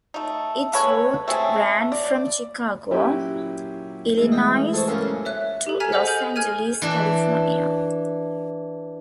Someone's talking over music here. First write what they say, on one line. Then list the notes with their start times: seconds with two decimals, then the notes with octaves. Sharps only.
Its route ran from Chicago, Illinois to Los Angeles, California.
0.14 A3 D#4
0.73 G#3 A4 B4 C#5
1.28 A3 C4 C#4 G#4
1.92 D5
2.91 A#2 F#3 C#4 E4 G4
4.17 E3 G#3 A3 E4
4.32 D#5 G5
4.73 A4 C5 C#5
4.87 F#2 A#2 C#3 A#3 A4 C#5
5.25 C#5 E5 F#6
5.67 G4 A4
5.80 G#5 A#5 F6 G#6 B6 F7
5.92 G#4 A4 C5 D#5 F#5
6.07 G#4 G#5 F6 G6 D#7 F#7
6.36 G#5 F6 G#6 D#7
6.82 E3 D4